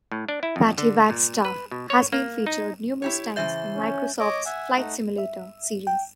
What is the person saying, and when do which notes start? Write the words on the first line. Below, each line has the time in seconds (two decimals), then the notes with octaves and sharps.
Patty Wagstaff has been featured numerous times in Microsoft's "Flight Simulator" series.
0.12 A2
0.29 D4
0.43 E4
0.56 F2
0.78 D3
1.10 A#2
1.45 B4
1.71 B2
1.90 C#5
2.13 A#3
2.47 D#4
3.02 E4 G4 C#5
3.36 C#3 E3 C5 E5 G6
3.75 C#4
4.20 C#5 D#5 D6
4.46 E5 F#5 G#5
4.77 A3 D#4 F#5
5.18 E5
5.87 G5